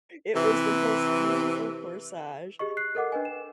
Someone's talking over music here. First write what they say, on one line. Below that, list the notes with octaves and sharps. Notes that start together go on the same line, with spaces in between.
it was the most beautiful corsage,
C3 E3
G4 G#4 D#5 C#6
F#6 C7
A4 A#4 D#5 F#5 D6
D4 B4 D#5 G#5
E7